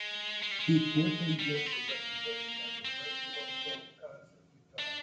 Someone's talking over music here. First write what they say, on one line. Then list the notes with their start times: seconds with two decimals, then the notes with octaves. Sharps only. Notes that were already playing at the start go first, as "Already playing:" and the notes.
He quickly gained a reputation as a virtuoso concert guitarist.
Already playing: G#3
0.43 G#3
0.51 G3
0.60 G#3
1.39 G3
1.55 B3
1.66 C4
1.72 B3
1.88 A#3
2.85 C4
4.79 D4